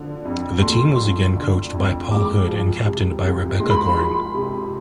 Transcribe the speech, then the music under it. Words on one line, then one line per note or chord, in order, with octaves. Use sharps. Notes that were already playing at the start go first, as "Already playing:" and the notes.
The team was again coached by Paul Hood and captained by Rebecca Goring.
Already playing: D3 F3
F2
A3 C6
F3
D3
F2
G#3 D6
F3
C3
C2
G#3 C6
B5
C6
F3 B5
C3